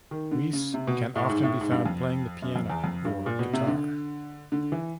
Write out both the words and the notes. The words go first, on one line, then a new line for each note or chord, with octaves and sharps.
Wees can often be found playing the piano or guitar.
D#3
D3
C#3
C3
B2
A2
G#2
A2
G#2
G2
F2
F#2
F2
E2
F2
G2
A#2
B2
C3
D3
D3
E3